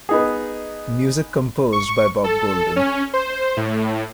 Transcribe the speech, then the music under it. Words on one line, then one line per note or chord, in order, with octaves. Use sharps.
Music composed by Bob Golden.
B3 D#4 G#4
C#6
A4
C#4
C5
A2